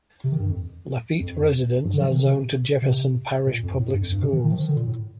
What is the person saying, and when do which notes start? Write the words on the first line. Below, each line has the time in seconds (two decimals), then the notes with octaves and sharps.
Lafitte residents are zoned to Jefferson Parish Public Schools.
0.24 C3
0.32 D#3
0.39 G2
0.49 F2
1.20 F2
1.85 G2
1.93 D3
2.01 F3
2.10 D#3
2.18 C3
2.82 C3
3.47 A#2
3.63 F2
3.79 A2
3.90 G2
4.01 F2
4.12 G2
4.22 C3
4.32 D#3
4.44 D#3
4.52 F3
4.60 D#3
4.68 D3
4.76 A#2
4.87 A2